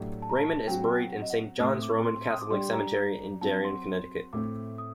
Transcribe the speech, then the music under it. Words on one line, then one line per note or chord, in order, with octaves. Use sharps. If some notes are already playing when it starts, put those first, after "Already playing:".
Raymond is buried in Saint John's Roman Catholic Cemetery in Darien, Connecticut.
Already playing: A2 F#3 A3 D4 G4
A5
A#5
A5
F#3 C4 F#4 G5
F#5
D#5
F#5
A2 A3 C4 D#6
D6
C6
D#6
D6
G3 D4 G4 C6
A#5
F#3 C4 F#4 A5
C6
A2 A3 C4 D6
D#6